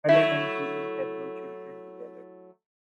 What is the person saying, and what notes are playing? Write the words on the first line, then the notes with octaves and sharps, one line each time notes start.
Helen and William had no children together.
F#3 A3 E4 E5